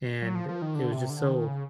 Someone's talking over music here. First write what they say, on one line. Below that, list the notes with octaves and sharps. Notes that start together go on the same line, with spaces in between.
and it was just so
F#3
F3
F3
D#3
D3
C3
D3
D#3
C#3